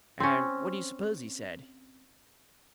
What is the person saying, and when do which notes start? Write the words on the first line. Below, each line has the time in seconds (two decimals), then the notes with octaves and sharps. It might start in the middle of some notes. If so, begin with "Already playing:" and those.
And what do you suppose he said?
0.20 C4 C#4